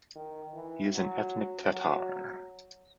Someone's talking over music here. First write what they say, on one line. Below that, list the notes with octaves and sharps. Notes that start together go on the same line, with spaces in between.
He is an ethnic Tatar.
D#3
E3
F#3
F#3